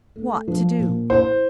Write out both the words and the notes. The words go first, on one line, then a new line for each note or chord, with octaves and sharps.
"What to do?"
A3
F3
A#2
E4 C5